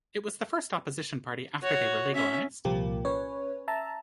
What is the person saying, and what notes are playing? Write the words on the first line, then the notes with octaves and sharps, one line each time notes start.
It was the first opposition party after they were legalized.
F#4 C#5
C#4 E5
C2 A#2 F3 A#3 G4
C#4 B4 C#5
E5 A5 A#5